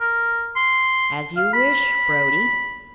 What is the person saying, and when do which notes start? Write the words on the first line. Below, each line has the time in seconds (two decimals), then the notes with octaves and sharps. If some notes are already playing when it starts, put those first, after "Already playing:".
"As you wish, Brodie."
0.01 A#4
0.56 C6
1.36 F5
1.53 B5